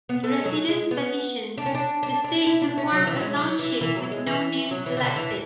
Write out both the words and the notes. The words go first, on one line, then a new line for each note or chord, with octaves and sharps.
The residents petitioned the state to form a township with no name selected.
B3
A3
G#3
F#3
G#3
B3
D4
C#4
D4
D4
D4
E4
D4
C#4
F#3
E3
F#3
G#3
F#3
E3
E3
F#3
G#3
E3
F#3
E3
E3
D3
E3